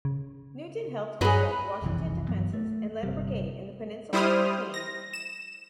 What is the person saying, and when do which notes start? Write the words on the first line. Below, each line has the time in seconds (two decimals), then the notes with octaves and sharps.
Newton helped construct Washington defenses and led a brigade in the Peninsula Campaign.
0.05 C#3
1.21 G2 F#3 G#4 B4 D#5 A#5
1.82 F#1 C2 F2 E3
2.28 G2 E3 F#3 B3
2.53 A3
3.03 G1 C3 G3
4.13 G3 E4 C5 D#6 F6
4.74 A#6
5.13 E7